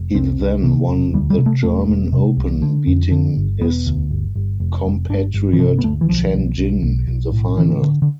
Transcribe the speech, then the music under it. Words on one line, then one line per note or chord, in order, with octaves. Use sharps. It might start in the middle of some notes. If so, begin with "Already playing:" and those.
He then won the German Open, beating his compatriot Chen Jin in the final.
Already playing: F1
C2 C4
C2
C3
E1
D2 G3
G3
C3
A3
E1 A3
E1
C3
C2
D3
F2
D3
G1
E1 B3
D2
G1
G1
F1
F1
G1 D4
G1
E3
C3 F3
B3
D2 A3
E3
B1 F3
B1
B1
B1
B1
A2
D3 E3
D3
D3